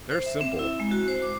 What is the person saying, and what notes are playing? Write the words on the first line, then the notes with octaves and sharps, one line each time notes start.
They're simple.
C5
E5
C4
E4
G#3
F#4
C5
D6